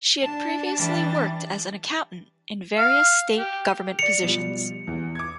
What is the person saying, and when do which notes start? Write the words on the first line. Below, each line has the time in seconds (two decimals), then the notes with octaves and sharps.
She had previously worked as an accountant in various state government positions.
0.23 D4 A5
0.76 E3 G3 A6
2.77 F5
3.37 G4
3.99 D5 C#7 F7
4.23 B2 F3 G3
4.87 E2
5.15 D6 G#6